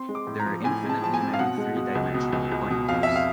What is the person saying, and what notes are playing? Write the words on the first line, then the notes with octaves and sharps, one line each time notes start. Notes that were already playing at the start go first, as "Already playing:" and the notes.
There are infinitely many three-dimensional point groups.
Already playing: C4 C6
G#3
D6
A2
A#5
F3
A2 G#5
G#3
A5
F3 A5
G#5
C4
F5
B2 F#5
G#3
B2
C#2
B2
C#2
C#2
B2
F2 F5
F2 E5
F5